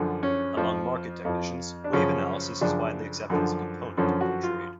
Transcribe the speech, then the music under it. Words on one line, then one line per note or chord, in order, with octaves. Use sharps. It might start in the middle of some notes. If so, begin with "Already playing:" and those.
Among market technicians, wave analysis is widely accepted as a component of their trade.
Already playing: F#2 D3 F3
C#4
F2 F3
F2 F3
D4
F#2 C#3 F3 C#4
F#2 C#3 F3 D4
F#2 D3 F3
F#2 D3 F3 C#4
F#4
F4